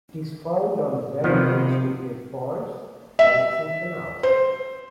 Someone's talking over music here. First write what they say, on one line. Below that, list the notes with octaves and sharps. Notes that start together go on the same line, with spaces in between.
It is found on well-vegetated ponds, lakes and canals.
C3 D#3 F3 B3
E5
C5